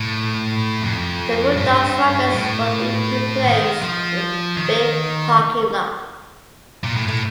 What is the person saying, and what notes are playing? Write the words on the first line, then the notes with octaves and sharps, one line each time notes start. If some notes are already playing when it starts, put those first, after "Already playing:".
The Rudolph structures would be replaced with a big parking lot.
Already playing: A2
F2
G2
A2
D#3
F3
D#3
A#2
A2
A2